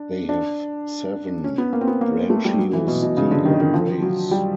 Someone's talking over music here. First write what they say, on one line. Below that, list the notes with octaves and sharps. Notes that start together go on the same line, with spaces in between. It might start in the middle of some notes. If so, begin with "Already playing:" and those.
They have seven branchiostegal rays.
Already playing: D4
D4
C#4
B3
A#3
C4
B3
A#3
A3
G3
F#3
E3
B2
B2
C#3
D3
D#3
D#3
F3
F#3
G3